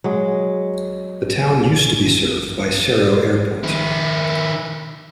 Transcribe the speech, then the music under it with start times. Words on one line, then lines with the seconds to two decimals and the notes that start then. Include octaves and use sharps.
The town used to be served by Serowe Airport.
0.04 F#3 G#3
3.64 D#3 E4